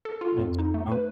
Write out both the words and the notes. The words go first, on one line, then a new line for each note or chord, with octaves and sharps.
I just don't.
A4
F4
F2
D#4
A3
B4